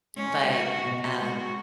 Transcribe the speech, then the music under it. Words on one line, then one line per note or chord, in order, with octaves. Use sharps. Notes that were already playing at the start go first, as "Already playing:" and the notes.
but, um,
G#3 C#4
F#4
B2
G#3 F#4